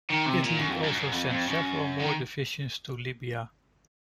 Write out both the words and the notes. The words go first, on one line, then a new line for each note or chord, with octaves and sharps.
Italy also sent several more divisions to Libya.
D#3
C3
A#2
F#2
F2
F#2
F#2
F2
F2
F#2
D#3